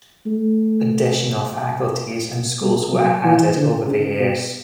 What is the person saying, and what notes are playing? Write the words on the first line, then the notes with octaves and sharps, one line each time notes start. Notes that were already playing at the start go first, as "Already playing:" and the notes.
Additional faculties and schools were added over the years.
A3
G3
F#3
E3
D3
C#3
B2